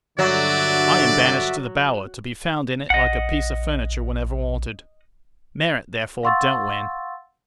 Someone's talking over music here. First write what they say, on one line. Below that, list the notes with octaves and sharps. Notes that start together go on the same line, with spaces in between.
I am banished to the Bower, to be found in it like a piece of furniture whenever wanted. Merit, therefore, don't win.
G2 D3 F#3 F#4 D5 E5
A#1 D#5 F#5
F5 F#5 C6 C#6 E6 A6